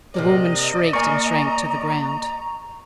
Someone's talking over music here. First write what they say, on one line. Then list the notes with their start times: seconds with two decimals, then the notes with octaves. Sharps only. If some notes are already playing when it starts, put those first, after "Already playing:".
The woman shrieked and shrank to the ground.
0.14 C3 A#3 D5 D#5
0.93 A#3 G#5 A#5 C#6